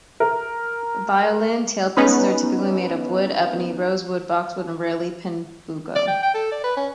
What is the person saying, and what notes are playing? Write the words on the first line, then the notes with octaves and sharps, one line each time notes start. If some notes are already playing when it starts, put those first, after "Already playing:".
Violin tailpieces are typically made of wood: ebony, rosewood, boxwood, or rarely pernambuco.
A#4
B3 C#4 D#4 B4
D5
G5
G5
A4
D5
B4
C#4